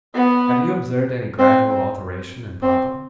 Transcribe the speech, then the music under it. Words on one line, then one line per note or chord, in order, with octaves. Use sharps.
Have you observed any gradual alteration in Papa?'
B3
C4
C4
C4